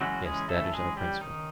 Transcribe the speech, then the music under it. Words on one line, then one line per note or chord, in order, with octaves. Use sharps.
Yes; that is our principle.
C#3 E3 F#3 G#3 C#4 F#4
G#3 G#4
A3 A4
G#3 G#4
G3 G4
D#3 D#4